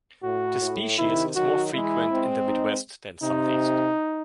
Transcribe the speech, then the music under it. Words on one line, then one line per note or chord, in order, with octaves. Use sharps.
The species is more frequent in the midwest than southeast.
A2 F#4
A2
C3 D#3 E4
D#3 F#3 F#4
E3 G#3 E4
G#3 C4
D#4
C3 D#4